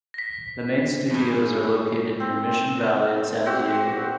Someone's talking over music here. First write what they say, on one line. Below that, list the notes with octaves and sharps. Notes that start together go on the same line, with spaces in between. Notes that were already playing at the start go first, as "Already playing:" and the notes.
The main studios are located near Mission Valley in San Diego.
A#6 B6
E2 G#2
C4
C4 F#4 G4